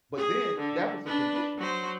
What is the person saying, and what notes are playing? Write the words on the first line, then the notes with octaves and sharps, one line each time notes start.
but then that was the condition.
G#4
D3
D4 B4
F#3 C5